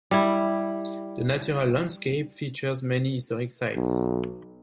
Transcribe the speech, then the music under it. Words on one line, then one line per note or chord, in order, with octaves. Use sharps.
The natural landscape features many historic sites.
G3 E4
B1